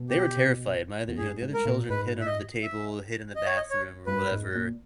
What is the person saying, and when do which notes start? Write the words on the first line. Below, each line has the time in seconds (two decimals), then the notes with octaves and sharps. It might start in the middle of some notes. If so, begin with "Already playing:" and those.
they were terrified. My other you know, the other children hid under the table, hid in the bathroom or whatever.
Already playing: B2
0.10 G4
1.09 E2
1.17 G2 G#4
1.42 G#2
1.54 A#4
1.65 A#2
1.90 G#2 B4
2.21 E5
2.26 D#5
2.63 E5
3.35 D#5
3.46 C#5
3.56 D#5
3.71 C#5
4.07 G2 B4
4.32 G#2
4.55 A#2